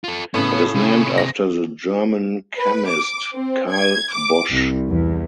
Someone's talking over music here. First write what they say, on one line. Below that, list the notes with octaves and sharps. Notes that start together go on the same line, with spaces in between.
It is named after the German chemist Carl Bosch.
F4 A4
A2 C#3 B3
C3 G#4
A#6
B4
D6
C4
G#6
D6
C2
E2